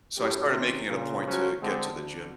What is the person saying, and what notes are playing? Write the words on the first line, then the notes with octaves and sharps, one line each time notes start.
So I started making it a point to get to the gym.
F#2 A2 G4
C3 D#3 C#4
A#2 C#3
C#3 F3 F#3 C#4 F#4 C5
D3 G#3 C4
D2 D3